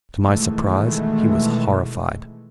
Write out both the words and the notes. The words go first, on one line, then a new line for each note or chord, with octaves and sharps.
To my surprise he was horrified.
B2 D#3 E3 G#3 A3